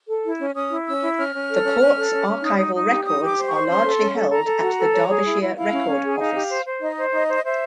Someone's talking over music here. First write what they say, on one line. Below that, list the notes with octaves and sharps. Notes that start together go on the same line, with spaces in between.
The Courts' archival records are largely held at the Derbyshire Record Office.
A4
E4
C#4
C#4 D#6
E4
C#4 E6
E4
C#4 F6
C#4
A4
C#4
C#4
A4
C#4
C#4
D#4
D#4
D#4
G4
D#4 D#6
G4 D6
C5
C5 C#6
C#4 C6
A4
C#4
A4
A4 A#5
A4
F#4
A4
C#5
G#4
E4
E4
E4 F5
C#4
C#4
G#4
D#4 F5
G4
C5
C5
D#4 D#5
C5
D#4 D#5
C5
D#5
C5 E5